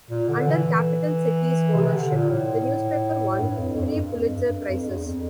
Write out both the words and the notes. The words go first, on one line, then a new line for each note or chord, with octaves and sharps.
Under Capital Cities ownership the newspaper won three Pulitzer Prizes.
A#2
D3
E3
C3
D3
A#2
A2
G2
F2
F2
G2
F2
G2
G2
F2
E2
F2